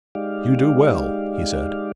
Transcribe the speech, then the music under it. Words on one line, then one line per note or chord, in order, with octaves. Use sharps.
"You do well," he said.
G#3 D#4 G4 D5 F5